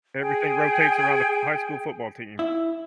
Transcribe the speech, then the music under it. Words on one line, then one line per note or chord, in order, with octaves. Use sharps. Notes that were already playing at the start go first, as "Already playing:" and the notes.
everything rotates around the f high school football team.
G#4 G5
E4